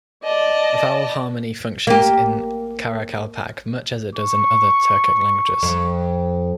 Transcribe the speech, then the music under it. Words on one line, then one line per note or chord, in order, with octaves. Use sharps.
Vowel harmony functions in Karakalpak much as it does in other Turkic languages.
D5 D#5 A5
A#3 G4
C#6
F2